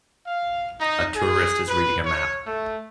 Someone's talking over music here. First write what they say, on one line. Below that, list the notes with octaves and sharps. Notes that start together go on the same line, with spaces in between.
A tourist is reading a map.
F5
D#4
G#4
B4
C#5
A3